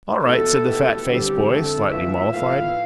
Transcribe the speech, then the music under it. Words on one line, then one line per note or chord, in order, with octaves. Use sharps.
"All right," said the fat-faced boy, slightly mollified.
B2 A3 E4 A4
B2 B3 E4 G4
D3 G3 C4 G4
F2 D3 A3 A4
E3 B3 F4 E5
A2 F3 B3 F5